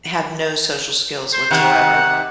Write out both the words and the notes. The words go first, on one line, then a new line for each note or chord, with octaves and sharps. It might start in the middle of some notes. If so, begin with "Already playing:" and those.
have no social skills whatsoever,
C5
C3 D#3 F#5